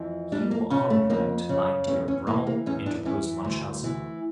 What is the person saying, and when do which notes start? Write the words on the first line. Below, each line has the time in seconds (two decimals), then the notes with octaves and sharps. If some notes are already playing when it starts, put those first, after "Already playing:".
"You are right, my dear Brummel," interposed Munchausen.
Already playing: F2 E3
0.32 G3 D4
0.51 A#3
0.70 C#3 C#4
0.90 A3
1.10 F2 A#3
1.49 C#3
1.88 E2 C#4
2.08 C#4
2.27 E3 A#3
2.47 A#3
2.66 E2 C#4
2.86 D4
3.05 E3 C#4
3.44 D2
3.84 E3